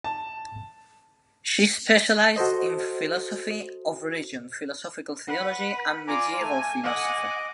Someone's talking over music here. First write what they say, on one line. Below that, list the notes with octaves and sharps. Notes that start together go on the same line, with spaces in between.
She specialised in philosophy of religion, philosophical theology and medieval philosophy.
A5
F#4 A4 C5 D#5
B4 F#5
F4 D5 G#5 A#5 D6
A3 G#5
D#5 F#5 G#5 D6